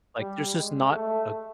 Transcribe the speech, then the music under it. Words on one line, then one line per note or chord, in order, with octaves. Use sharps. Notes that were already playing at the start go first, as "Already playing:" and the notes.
Like there's just not a
G3
G#3
A3